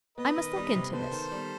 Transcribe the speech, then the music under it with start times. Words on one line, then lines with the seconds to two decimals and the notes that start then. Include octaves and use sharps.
I must look into this.
0.18 B3 B4 D#5
0.37 D#3
0.56 G3
0.75 C3
0.93 B3 A4 C5
1.12 D#3
1.32 G3